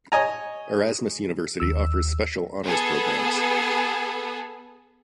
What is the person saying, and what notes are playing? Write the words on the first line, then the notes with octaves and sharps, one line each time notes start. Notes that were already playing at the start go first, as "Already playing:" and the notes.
Erasmus University offers special honours programmes.
C#5 D#5 G#5 A#5
D#2 E6
B3 G#4 A4